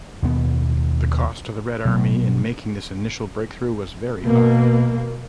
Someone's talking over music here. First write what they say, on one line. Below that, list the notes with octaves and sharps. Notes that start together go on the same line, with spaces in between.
The cost to the Red Army in making this initial breakthrough was very high.
D#2 B2 B3
B2 F#3
B2 A#3